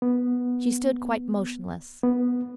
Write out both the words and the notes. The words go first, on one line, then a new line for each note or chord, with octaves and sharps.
She stood quite motionless.
B3
B3